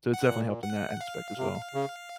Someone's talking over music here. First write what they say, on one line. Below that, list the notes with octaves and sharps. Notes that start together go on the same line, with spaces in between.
So it's definitely helped in that aspect as well.
F#5
A#2
F#5
F5
C3
C#3